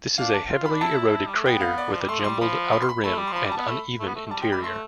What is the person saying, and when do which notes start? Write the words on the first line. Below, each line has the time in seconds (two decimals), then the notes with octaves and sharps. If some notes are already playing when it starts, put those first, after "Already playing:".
This is a heavily eroded crater with a jumbled outer rim and uneven interior.
0.18 D4 F5
0.34 A5
0.50 F4
0.66 D4 B5
0.81 E4 A5
1.27 G3
1.36 A3
1.45 B3 G5
1.61 F5
1.78 D5
1.93 F3
2.01 G3
2.09 A3 C6
2.19 F3
2.24 G3 C6
2.41 F3 B5
2.73 B5
2.82 C6
2.89 B5
3.04 A3 B5
3.18 G3
3.27 C6
3.32 F3 B5
3.46 G3
3.52 A5
3.57 B3
3.68 A3 B5
4.00 A3
4.07 B3
4.15 A3
4.26 A3
4.31 G3 A5
4.42 F3 G5
4.52 G3 B5
4.63 A3 C6